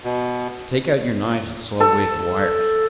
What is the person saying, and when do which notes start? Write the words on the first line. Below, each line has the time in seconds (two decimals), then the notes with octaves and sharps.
Take out your knives and saw away at the wires.
0.04 B2
1.80 A4